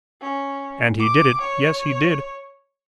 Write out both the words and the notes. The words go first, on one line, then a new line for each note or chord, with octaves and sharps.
And he did it; yes, he did!
C#4
D6
C#5